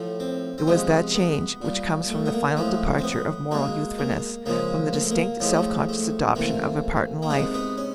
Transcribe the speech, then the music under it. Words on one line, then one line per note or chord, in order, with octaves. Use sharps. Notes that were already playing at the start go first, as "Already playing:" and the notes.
It was that change which comes from the final departure of moral youthfulness--from the distinct self-conscious adoption of a part in life.
Already playing: A2 F3 A3
C4
C4
C3 F3 G#3 B3
B3
A#2 G3
A3
B3
A#3
A2 F3 G#3 A3
C4
B3
B2 G#3 A#3
A#3
C#3 F3 G#3 A#3
A#3
A3
A#3
A2 F3 G#3 A3
A3
A3
C3 E3 A3 A#3
A#3
C3 D#3 G#3 B3
B3
C#4